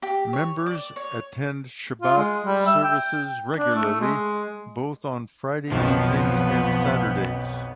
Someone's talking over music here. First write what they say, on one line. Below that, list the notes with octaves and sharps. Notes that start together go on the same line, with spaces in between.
Members attend Shabbat services regularly both on Friday evenings and Saturdays.
G4
C#5
D5
C#5
F4
G#3
G3
E5
G5
D4
A3
G#3
B1 F2 D#3 F3 B3